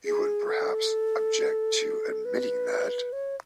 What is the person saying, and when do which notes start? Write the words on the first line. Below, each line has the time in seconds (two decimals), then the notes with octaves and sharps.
You wouldn't perhaps object to admitting that?
0.05 G#4
0.48 A4
2.25 B4
3.13 C#5